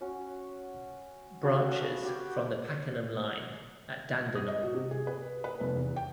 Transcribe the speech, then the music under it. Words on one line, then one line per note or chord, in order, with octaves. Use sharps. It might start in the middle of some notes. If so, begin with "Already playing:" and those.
Branches from the Pakenham line at Dandenong.
C#4 F#4
F#4 A4 B4 F5
F#4 G4
D#6
D#5
F#4
C3
G#4
B4
B4
F1
E2
G5